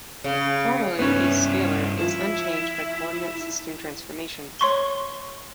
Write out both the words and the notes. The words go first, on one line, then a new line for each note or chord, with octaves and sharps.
Formally, a scalar is unchanged by coordinate system transformations.
C#3
G2 B3 C#4 E4
F3 E4
C#5 C6 C#6 G7